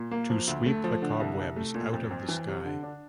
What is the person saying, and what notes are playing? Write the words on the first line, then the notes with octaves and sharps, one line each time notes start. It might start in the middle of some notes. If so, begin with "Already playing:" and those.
To sweep the cobwebs out of the sky.
Already playing: A#2
A#3
F3
D2
A3
F3
D3
C2
C2
A3
A#2
F2
F2
E3
C3
D3
D4